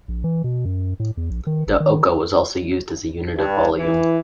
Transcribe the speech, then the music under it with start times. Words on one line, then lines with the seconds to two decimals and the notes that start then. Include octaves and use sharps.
The oka was also used as a unit of volume.
0.08 A#1
0.24 E3
0.44 B2
0.65 F#2
1.00 A2
1.17 E2
1.30 A#1
1.47 D#3
1.67 G1
1.80 D#3
3.37 G2
3.77 E3